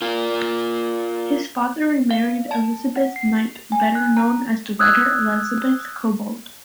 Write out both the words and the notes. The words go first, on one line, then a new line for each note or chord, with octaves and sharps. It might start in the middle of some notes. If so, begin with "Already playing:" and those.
His father remarried Elizabeth Knipe better known as the writer Elizabeth Cobbold.
F4 A#4
F5
A5
F#5
C7
G#5
F#6
A#5
D#6 E6 F#6 G#6